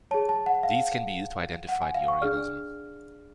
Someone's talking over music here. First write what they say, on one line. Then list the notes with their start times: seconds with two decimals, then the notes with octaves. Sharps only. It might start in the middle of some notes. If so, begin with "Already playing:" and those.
These can be used to identify the organism.
0.11 G#4 C#5 A5
0.29 A5
0.46 F#5
0.63 F5
1.69 F#5
1.82 G#5
1.95 F5
2.08 C#6
2.21 D4 G#4 D5 F6